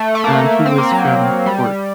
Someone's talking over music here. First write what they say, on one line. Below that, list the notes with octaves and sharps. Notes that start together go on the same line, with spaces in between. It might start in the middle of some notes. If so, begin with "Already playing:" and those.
um, he was from Cork.
Already playing: A3
A3
A#3
C4
A#3
F#3
G3